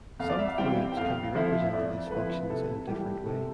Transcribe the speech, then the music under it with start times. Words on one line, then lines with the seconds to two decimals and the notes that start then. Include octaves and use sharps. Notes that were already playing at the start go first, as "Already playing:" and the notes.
Some fluents can be represented as functions in a different way.
0.19 F2 F5
0.30 D5
0.39 E5
0.48 F5
0.58 E3 G3 C4 G5
0.92 G5
0.97 F2 F5
1.34 D3 F3 C4 E4 E5
1.61 E5
1.73 F2 D5
2.07 A4
2.11 D3 F3 C4 E4 B4
2.50 C3 A4
2.87 E3 G3 G4
3.26 C3 A4